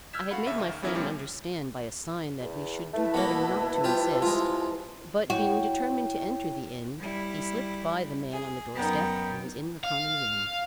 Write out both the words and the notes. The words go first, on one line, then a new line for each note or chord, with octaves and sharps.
I had made my friend understand by a sign that we should do better not to insist; but, being determined to enter the inn, he slipped by the man on the doorstep and was in the common room.
E6 F6 G6 G#6 B6 E7
F#4 A4 F5 F#5 B5
D2 C#3 E5
D#2 D#3
E3 B3 C#4 E4 A4 A#4
E2 A#2 F3 G3 C#4
E2
A3 E4 B4 A5
B2 A#3 B3
C3 F4 G4
G#3 F4
E4 F#4 C#5 G5
G3 E4
G#4
F#2 B3 D#4 A#4 G5
F5